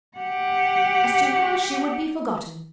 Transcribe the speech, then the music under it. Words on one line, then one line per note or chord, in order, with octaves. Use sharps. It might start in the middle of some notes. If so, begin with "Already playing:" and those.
As to her she would be forgotten.
G4 F#5